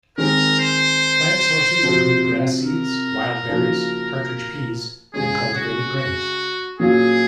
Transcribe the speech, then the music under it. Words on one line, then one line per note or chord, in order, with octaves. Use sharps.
Plant sources include grass seeds, wild berries, partridge peas, and cultivated grains.
D#3 G#3 C4 A#4
C5
C3 F3 C4 F#4
A#4
C#3 F3 A#3 D#4 F#4
C#3 G#3 C#4 G#4
F#4
F#4
A#2 F#3 C#4 F4 G#4